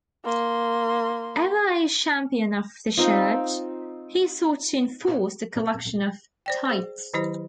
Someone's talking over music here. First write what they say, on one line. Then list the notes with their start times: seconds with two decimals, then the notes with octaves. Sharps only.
Ever a champion of the Church, he sought to enforce the collection of tithes.
0.24 A#3 C6
2.97 C4 D#4 F4
6.46 C5 D5 G5
6.65 G#4 C5
7.14 D#3 F#3 E4 G4 C5